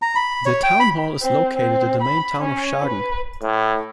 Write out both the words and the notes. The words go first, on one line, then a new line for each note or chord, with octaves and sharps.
The townhall is located in the main town of Schagen.
A#5
B5
C#5
G5
B5
C4
C4
B5
C#4
B4
A2